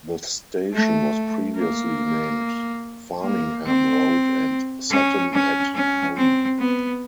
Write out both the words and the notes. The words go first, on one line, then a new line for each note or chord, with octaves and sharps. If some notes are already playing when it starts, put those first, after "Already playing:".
The station was previously named Farningham Road and Sutton-at-Hone.
A3
A#3
A#3
C4
C#4
C#4
C#4
C4
B3